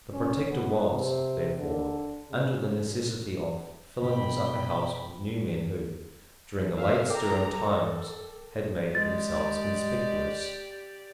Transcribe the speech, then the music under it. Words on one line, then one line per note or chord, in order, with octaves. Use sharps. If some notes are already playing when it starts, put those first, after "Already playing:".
The Protector was, therefore, under the necessity of filling his Upper House with new men who, during the late stirring times, had made themselves conspicuous.
C#4
B3
C3
D3
C#3
B2 G5 B5
E5 F5
A4 A#4 G5 A#5 D6
A4
G#3 G4 D5 A6